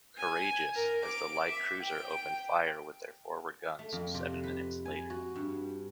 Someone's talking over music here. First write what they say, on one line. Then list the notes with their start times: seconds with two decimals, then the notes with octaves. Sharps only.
"Courageous" and the light cruiser opened fire with their forward guns seven minutes later.
0.18 G#5
0.74 A#4
1.04 D6
1.48 E5
1.81 G5
3.79 A3
3.93 F2
4.14 C3
4.44 B4
4.85 G#5
5.10 F#4
5.36 G2